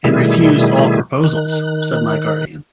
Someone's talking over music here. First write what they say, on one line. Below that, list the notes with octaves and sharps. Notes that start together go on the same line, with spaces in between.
"And refused all proposals," said my guardian.
B2 D#3 G3 A3 E4 G#4
D#3 F#6